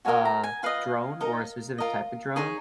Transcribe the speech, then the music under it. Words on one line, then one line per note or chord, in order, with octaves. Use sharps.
a drone or a specific type of drone.
F#4 A#4 D#5 G#5
A#5
G#5
F4 B4 D#5 F5
D#4 A#4 D#5
F4 A#4 D#5
D#4 G#4 C#5